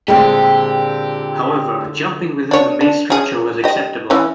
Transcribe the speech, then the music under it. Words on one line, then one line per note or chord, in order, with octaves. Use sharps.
However, jumping within the maze structure was acceptable.
A#2 D3 G#3 C4 G4 A4
D4 C#5
D4
C#4 G#4
G4 D#5
E3 C#4